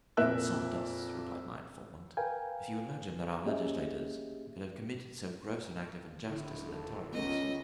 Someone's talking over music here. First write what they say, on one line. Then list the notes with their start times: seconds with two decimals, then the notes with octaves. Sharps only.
"You insult us," replied my informant, "if you imagine that our legislators could have committed so gross an act of injustice and intolerance."
0.17 F2 A#2 A#4 E5 E6 F#6
2.17 A#4 B4 F5 G5 G#5
3.46 A#3 C#4 G4 G#4 D#5 E5
6.29 D#1 D3 E4
6.69 A4
7.13 C#2 B3 C#4 A#4 D#5